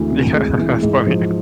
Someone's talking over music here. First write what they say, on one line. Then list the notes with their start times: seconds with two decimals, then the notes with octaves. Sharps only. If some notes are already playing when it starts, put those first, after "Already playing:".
Yeah, that's funny.
Already playing: D2 C3 E3 G#3
0.11 C3
0.34 G#3
0.58 E3
0.82 G#2
1.07 F3